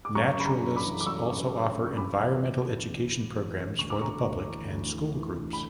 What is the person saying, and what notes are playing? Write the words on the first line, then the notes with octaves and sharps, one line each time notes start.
Naturalists also offer environmental education programs for the public and school groups.
D6
F#2 A#5 C#6
C#3 B5
A#5 C#6
F#2
B5 D6
E3
D6
F#2 C#6 E6
F#2
C#3
F#2
C#6
E2 B5 D6
E2
C#3
E3
E2
E2
E3
E2
D2 C#6
D6
D2 A#5 C#6
D2
E3
D2
E3
E3
D2
B5